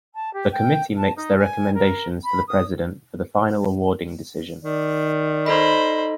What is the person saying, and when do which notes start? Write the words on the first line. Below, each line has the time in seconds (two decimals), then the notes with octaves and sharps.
The Committee makes their recommendations to the President for the final awarding decision.
0.14 A5
0.33 G4
0.51 G5
0.96 A5
1.16 D#4
1.37 G#5
1.74 A#4
2.24 B5
2.48 D#6
4.63 D#3 D5
5.46 D#4 A4 C5 D#5 B5